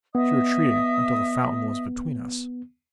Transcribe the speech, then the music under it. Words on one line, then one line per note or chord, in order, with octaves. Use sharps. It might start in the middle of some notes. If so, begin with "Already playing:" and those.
She retreated until the fountain was between us.
B3 D#5 E5 D#6